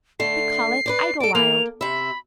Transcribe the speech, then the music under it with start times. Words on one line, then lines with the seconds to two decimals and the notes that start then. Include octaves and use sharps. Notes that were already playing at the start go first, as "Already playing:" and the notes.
We call it Idlewild.
0.20 D3 A3 C7
0.86 B4 C5 D5
1.20 A4 D5 D7
1.35 A#3 F7
1.81 C3 E5 B5